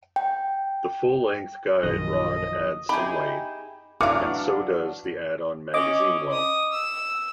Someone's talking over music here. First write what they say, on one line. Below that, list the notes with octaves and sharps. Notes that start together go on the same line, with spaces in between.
The full-length guide rod adds some weight, and so does the add-on magazine well.
G5
A#1 F#2 D#3 F3 D#5
D#4 E4 G4 G#4 B5
E3 F#3 D4 F#4 F5 D6 F6 C#7
C#4 D#5 D6
D#6
E6